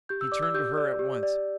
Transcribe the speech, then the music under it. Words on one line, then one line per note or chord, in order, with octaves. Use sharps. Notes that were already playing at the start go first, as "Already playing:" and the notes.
He turned to her at once.
G4 G6
E6
D5 D6
E6
G4 G6
D5
G4
D5